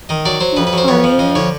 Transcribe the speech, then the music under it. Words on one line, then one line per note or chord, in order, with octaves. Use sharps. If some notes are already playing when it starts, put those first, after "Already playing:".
I'm sorry.
D#3 D#5
F#3 D5
F#3 C5
F2 B4
B4
F#3 C5
F2 C#5
F3
F2 D#5
D3 C#5